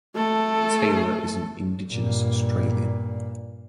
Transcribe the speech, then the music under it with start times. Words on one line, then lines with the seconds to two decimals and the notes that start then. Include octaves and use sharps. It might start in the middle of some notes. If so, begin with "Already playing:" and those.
Taylor is an Indigenous Australian.
0.15 A3 A4
1.91 G2 A#2